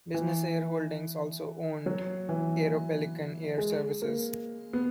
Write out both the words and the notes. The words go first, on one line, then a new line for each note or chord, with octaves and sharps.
Business Air Holdings also owned Aeropelican Air Services.
E3
F#3
E3
G#3
A#3
B3